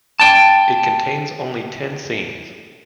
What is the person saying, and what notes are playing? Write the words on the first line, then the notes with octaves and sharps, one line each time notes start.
It contains only ten scenes.
G5 A5